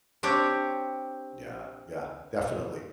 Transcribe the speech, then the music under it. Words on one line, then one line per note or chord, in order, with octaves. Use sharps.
Yeah, yeah, definitely.
C4 D4 G4 C#5